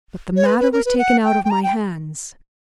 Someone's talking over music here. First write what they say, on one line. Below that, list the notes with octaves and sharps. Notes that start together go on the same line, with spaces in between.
But the matter was taken out of my hands.
C#5
B4
B4
A#4
B4
F#5
G5
G5
A#5
G5